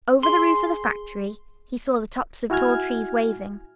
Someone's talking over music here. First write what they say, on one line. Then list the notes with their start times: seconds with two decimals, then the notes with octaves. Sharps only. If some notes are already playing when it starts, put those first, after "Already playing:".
Over the roof of the factory he saw the tops of tall trees waving.
0.23 G#4 C6
2.50 E4 F#4 G#5 F6 G#6